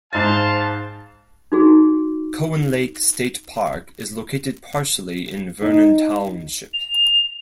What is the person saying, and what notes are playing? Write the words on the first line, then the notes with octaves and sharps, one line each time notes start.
Cowan Lake State Park is located partially in Vernon Township.
G#2 C5 F5 A5 A6
D#4 F#4 G#4
D#4
F7